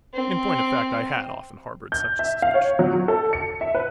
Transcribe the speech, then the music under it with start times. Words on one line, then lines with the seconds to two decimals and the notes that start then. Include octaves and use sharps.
In point of fact, I had often harbored such a suspicion.
0.14 C4
1.92 G6
2.19 E5
2.42 F5
2.54 C#5
2.79 F#3
2.93 F#4
3.08 A4
3.33 C#7
3.61 E5
3.75 B4